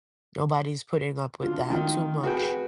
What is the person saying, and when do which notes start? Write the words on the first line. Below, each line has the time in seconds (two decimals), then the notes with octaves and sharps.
Nobody's putting up with that too much.
1.43 D3 F4
1.70 D#3 F4
2.24 F#4 G#4 B4 G5